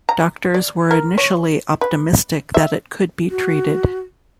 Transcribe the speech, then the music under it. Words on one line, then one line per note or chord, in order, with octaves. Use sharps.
Doctors were initially optimistic that it could be treated.
A#5
D5
A#4
C#5
B4
E5
F#4